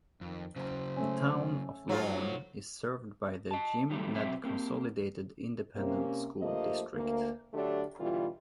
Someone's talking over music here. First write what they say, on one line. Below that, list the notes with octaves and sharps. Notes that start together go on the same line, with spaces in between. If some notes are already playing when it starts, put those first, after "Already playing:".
The town of Lawn is served by the Jim Ned Consolidated Independent School District.
F2 D#3
C#3 F#3 C5
A3 C#4
G2 F#3 D#4 F4 A4 C5
D#5 A5
D#3 F#3 G3 A3
B2 F#3 C4 E5
A#3 C4 G4
C3 A#3 C#4
G2 F3 G3 A3 A#3 D#5
D2 A#3
D3 F#3 A3 D4 G4 A4
B2 D3 E3 G3 F4